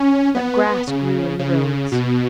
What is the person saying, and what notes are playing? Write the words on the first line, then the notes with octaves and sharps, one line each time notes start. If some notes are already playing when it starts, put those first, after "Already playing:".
But grass grew in the roads.
Already playing: C#4
B3
C#3
C#3
B2